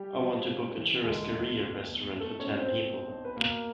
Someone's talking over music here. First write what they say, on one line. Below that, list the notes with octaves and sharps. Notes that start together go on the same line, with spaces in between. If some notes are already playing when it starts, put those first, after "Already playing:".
I want to book a churrascaria restaurant for ten people.
Already playing: G3 G4
F3
C#3
E3
D2 G#3 G#4
D2
B2
E2
B2 A3 A4
C#4 C#5
B2
C4 C5
B2
B1
B4
B2 A#3 A#4